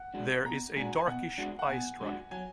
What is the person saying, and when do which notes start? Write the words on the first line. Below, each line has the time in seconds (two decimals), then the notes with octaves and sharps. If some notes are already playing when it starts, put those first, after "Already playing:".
There is a darkish eye stripe.
Already playing: F#5
0.14 G#3 D4 F#4
0.45 B2 A#5
0.77 G#3 D4 F#4 G#5
0.97 G#5
1.07 B2 F#5
1.38 G#3 D4 F#4
1.59 F#5
1.69 B2 G#5
2.01 G#3 D4 F#4
2.31 F#3 G#5